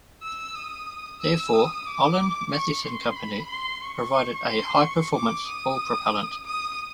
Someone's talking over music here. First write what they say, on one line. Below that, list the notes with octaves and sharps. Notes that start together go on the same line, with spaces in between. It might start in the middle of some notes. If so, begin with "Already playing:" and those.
Therefore, Olin Mathieson Company provided a high-performance ball propellant.
E6
D#6
E6
D#6
D6
C#6
C6
B5
C6
C#6
C6
C#6
D6
D#6
D#6